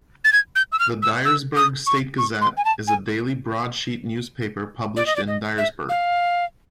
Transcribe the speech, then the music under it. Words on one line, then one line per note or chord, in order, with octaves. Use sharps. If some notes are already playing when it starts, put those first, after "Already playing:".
The "Dyersburg State Gazette" is a daily broadsheet newspaper published in Dyersburg.
A6
G#6
G6
E6
F6
E6
E6
D#6
C#6
C#6
C6
G#5
A5
G#5
D5
D#5
D5
D#5
E5
F5